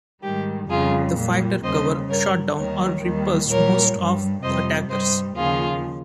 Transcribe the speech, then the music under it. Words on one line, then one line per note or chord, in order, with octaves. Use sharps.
The fighter cover shot down or repulsed most of the attackers.
G#2 D#3 G3 G4
F2 C#3 G3 F4 G#4
A#2 G3
D#2 C#3 G3 C5 D#5
G2 G3 A#4 C#5
D#2 D#3 G3 A#4 C#5
D#2 D#3 G3
A#2 G3 A#4 C#5
G2 G3
F2 C3 G3 C5 D#5
G2 G3 C5 D#5
D#2 C#3 F3 F4 G#4